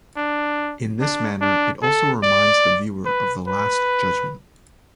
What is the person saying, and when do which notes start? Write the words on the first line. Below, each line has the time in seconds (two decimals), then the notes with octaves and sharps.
In this manner it also reminds the viewer of the Last Judgment.
0.17 D4
1.00 D4
1.41 D4
1.82 A4
2.23 D5
3.05 B4
3.47 B4